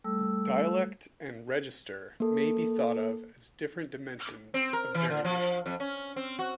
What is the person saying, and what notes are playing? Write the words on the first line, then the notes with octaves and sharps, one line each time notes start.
Dialect and register may be thought of as different dimensions of variation.
G3 A3 A4 E6
A#3 A4
C4
A#4
E3
D3
F3
F2
C#4
C4
F#4